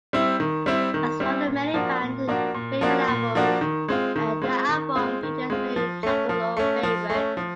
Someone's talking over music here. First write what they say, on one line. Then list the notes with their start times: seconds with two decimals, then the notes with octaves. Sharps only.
As one of the many fan favorite albums, the album features many Juggalo favorites.
0.13 G3 C4 E4
0.40 D#3
0.66 G3 C4 E4
0.94 D#3
1.20 G3 C4 E4
1.47 A#2
1.74 F3 A#3 D4 F#4
2.01 A#2
2.27 F3 A#3 D4 F#4
2.55 A#2
2.81 F3 A#3 D4 F#4
3.08 A#2
3.35 F3 A#3 D4 F#4
3.61 D#3
3.88 G#3 C4 F4
4.16 D#3
4.42 G#3 C4 F4
4.69 D#3
4.95 G#3 C4 F4
5.23 D#3
5.50 G#3 C4 F4
5.76 F3
6.03 A3 C#4
6.29 F3
6.57 A3 C#4
6.83 F3
7.10 A3 C#4
7.37 F3